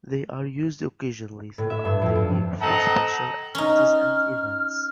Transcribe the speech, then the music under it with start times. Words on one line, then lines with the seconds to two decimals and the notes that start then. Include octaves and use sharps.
They are used occasionally throughout the year for special activities and events.
1.58 A2
1.70 E5
1.85 G2
2.02 F2
2.15 G2
2.60 C4 A4 D#5 F#5 A5 A#5
3.55 C#4 D#4 F6